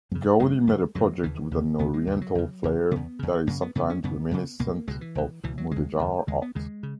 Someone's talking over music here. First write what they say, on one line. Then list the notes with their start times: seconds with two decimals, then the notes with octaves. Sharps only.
Gaudi made a project with an oriental flare that is sometimes reminiscent of Mudejar art.
0.12 F#2 C#3
0.40 F#2 C#3 G#3
0.67 F#2 C#3
0.95 F#2 C#3 F#3
1.23 D#2 C#3 E3
1.51 D#2 C#3
1.79 D#2 C#3 B3
1.94 G#3
2.07 D#2 C#3
2.21 F#3
2.35 E2 C#3
2.64 E2 C#3
2.91 E2 C#3 B3
3.19 E2 C#3
3.47 F#2 C#3 A#3
3.62 B3
3.75 F#2 C#3 B3
3.90 C#4
4.03 F#2 C#3 B3
4.31 F#2 C#3
4.59 C#2 B2 A#3
4.88 C#2 B2 G#3
5.01 E3
5.15 C#2 B2
5.44 C#2 B2 E3
5.58 F#3
5.71 D#2 C#3 G#3
5.99 D#2 C#3
6.27 D#2 C#3 G#3
6.42 B3
6.55 D#2 C#3 G#3
6.83 C#3